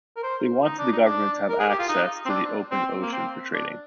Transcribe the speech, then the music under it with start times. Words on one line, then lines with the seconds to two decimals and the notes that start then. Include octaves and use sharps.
They wanted the government to have access to the open ocean for trading.
0.17 A#4
0.23 C5
0.64 D#4
0.79 D4
0.92 D#4
1.05 D4
1.49 A#4
1.60 G#4
1.69 G4
1.79 F4
1.89 D#4
2.25 C4
2.29 D4
2.71 C4
3.02 A#3
3.12 C4
3.53 D4